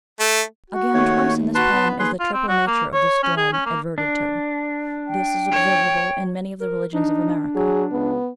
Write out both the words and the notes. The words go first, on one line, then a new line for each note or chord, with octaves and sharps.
Again, twice in this poem is the triple nature of the storm adverted to. This is observable in many of the religions of America.
A3
F#4
D#2 A3 C#5
F#4 B4 A5 C6
B1 B3
D#2 G#4 B4 C6
F4
C4
F#4
A#3
C#5
C#4
G#4
C#4
A#3
D4
G5
C#5
A#4
D4 D#4
F#3 G#4
C#2 B3